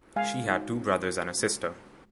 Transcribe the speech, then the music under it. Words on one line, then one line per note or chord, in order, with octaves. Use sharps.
She had two brothers and a sister.
G#3 F5 G#5
D#4 F#4
C4
F#4
G#3